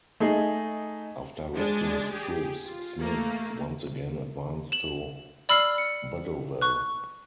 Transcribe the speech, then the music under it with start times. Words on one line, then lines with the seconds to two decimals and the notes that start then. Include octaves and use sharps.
After resting his troops, Smith once again advanced to Buddowal.
0.20 A3 D#4 G#4
1.54 G#3 D4
2.11 G4 G#4
2.65 F4
3.01 A3 A#3
4.72 E7 F#7
5.49 D5 B5 E6 F6 C7
5.78 C#7
6.61 C#6 F#6